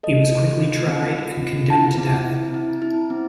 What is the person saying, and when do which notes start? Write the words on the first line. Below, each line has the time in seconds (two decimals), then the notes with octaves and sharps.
He was quickly tried and condemned to death.
0.03 A4 D#5
0.31 F4
0.59 F4
0.87 C4
1.15 F4
1.43 F4
1.70 E4 A5
1.98 C4
2.27 E4
2.54 E4
2.82 E4
3.10 C4